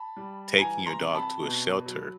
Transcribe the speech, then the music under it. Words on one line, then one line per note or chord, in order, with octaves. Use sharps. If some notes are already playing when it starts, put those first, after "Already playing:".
taking your dog to a shelter
Already playing: A5 B5
G3
E3 G#5 A#5
A#5 C6
C3
A5 B5
B2
F#3